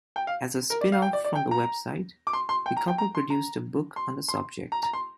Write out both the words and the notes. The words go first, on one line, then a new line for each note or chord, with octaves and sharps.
As a spinoff from the website, the couple produced a book on the subject.
G5
F5
A#4
D5
F5
G5
D5
D5
G5
A#5
D6
C6
C6
G5
A#5
G5
A#5
C6
A#5
C6
C6
A#5
A#5
C6